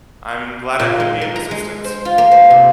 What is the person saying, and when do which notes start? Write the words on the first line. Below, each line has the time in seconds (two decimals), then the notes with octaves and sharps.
I'm glad I could be of assistance.
0.79 A#2
1.00 G#3
1.21 A#4
1.36 A#5
1.51 G#3
1.84 C5
2.05 F4
2.18 A#3
2.31 C5
2.50 C3